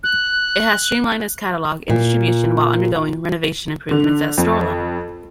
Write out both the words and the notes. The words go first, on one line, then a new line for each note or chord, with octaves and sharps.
It has streamlined its catalog and distribution while undergoing renovation improvements at store level.
F#6
A#2
D3
F2